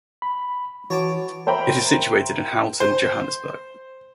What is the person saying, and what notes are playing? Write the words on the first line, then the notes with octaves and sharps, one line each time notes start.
It is situated in Houghton, Johannesburg.
B5
E3 F#4 C#5 A5 D6
A#4 C5 E5 G5 A#5 B5
C5